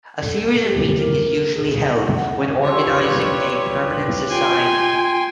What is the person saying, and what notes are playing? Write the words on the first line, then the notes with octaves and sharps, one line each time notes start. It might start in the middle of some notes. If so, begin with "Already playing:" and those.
A series of meetings is usually held when organizing a permanent society.
A4
G4
A#4
G#4
F#5
F3 F#3 G4 B4 C#5 D5 C6 E6
F4 G5 G#5 C6